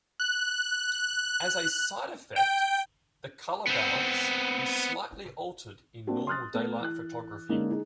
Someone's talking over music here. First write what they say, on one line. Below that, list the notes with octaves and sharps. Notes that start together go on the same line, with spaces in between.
As a side effect, the color balance is slightly altered in normal daylight photography.
F#6
G5
B3 C4
A#3 C4 D4 F#4
C6 D#6 F6 F#6 A6
A3 B3 A4
E3 F#6
D3 G#3 A#3 C#4 D#4
D#4 G#4